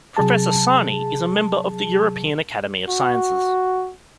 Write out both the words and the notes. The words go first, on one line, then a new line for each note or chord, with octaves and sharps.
Professor Sahni is a member of the European Academy of Sciences.
C3 F#3 G#4 A5
F#4